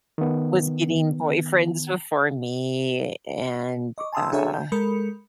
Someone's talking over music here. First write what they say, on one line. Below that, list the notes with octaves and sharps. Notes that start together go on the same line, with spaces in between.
was getting boyfriends before me, and, uh
D#3 B3
D#5 C#6 D6
G#5 A5 C6 D#6 E6
D4 F#4 G#4 A4 C#5 E5
G6
G#3 A4 A#4 B5 G6 C#7